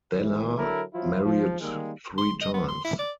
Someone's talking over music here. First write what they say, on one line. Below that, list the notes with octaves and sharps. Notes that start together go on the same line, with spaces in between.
Ballard married three times.
A1 D#2 E3
D3 F#3 E4 A4 A#4
F3 F#3 E4 F4
F3
D#3 G3 G#3 A#3
C6
D#5
B3
C6
E4
D5